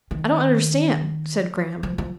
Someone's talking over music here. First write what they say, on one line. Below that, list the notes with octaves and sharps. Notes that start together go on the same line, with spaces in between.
"I don't understand," said Graham.
D#3
F3
F3